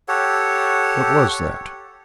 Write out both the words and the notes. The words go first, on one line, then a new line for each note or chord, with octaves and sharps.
What was that?
G4 A4 C#5 F#5